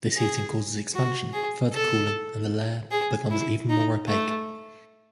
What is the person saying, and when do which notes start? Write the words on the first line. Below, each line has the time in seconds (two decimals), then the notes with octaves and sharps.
This heating causes expansion, further cooling and the layer becomes even more opaque.
0.17 G#4
0.95 F#4
1.33 G#4
1.73 A4
2.91 G#4
3.30 E4
3.70 D#4
4.08 A3